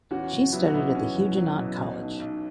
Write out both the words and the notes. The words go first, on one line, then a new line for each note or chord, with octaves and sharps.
She studied at the Huguenot College.
E2 C#4 F#4
F#1
F#3 B3 E4
F#4
B2 B3 E4
E2 C#4
F#1
F#3
B2
B2
B1
B1